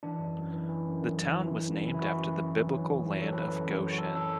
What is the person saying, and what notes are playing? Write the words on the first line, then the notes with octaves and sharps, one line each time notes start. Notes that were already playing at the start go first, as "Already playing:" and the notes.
The town was named after the biblical Land of Goshen.
E3 D4
F#2
F#2
E3
E3
F#2
F#2
E3
E3 E4
F#2
F#2
E3
E4
E3 F#4
F#2
F#2
E3
F#3
F#2
F#2
F#3 A4
F#3 B4
F#2
F#2
F#3
F#4
F#3 A4
A4